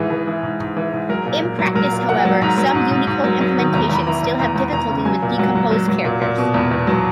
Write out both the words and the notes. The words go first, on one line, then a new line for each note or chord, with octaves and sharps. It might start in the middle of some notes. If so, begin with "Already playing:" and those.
In practice, however, some Unicode implementations still have difficulties with decomposed characters.
Already playing: G#2 E3 G#4
E3
E3
G#2
G#2
E3
G#2
F#3 A#4
A#2
A#2
F#3
F#3 A#4
A#2
A#2 F#5
F#3
G#2 A#5
F#3
G#2
G#2
G#2
F#3
F#3
D#3
E2 A#5
E2
B5
E3 A#5
E2
E2 A#5
E2
E2 A#5
C#3
F#3 G#5
A#2
F#3 F#5
F#3
F#3
F#3
A#2
A#2
B2
E2
E2
F#3